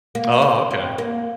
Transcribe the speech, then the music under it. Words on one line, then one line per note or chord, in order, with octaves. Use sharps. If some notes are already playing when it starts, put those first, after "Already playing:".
Oh, okay.
A#3
C4
C4
A#3